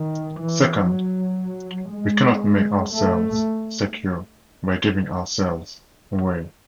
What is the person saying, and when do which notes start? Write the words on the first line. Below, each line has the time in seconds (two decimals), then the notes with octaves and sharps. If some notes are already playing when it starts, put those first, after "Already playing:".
Second, we cannot make ourselves secure by giving ourselves away.
Already playing: D#3
0.39 E3
0.88 F#3
1.89 G#3
2.91 A3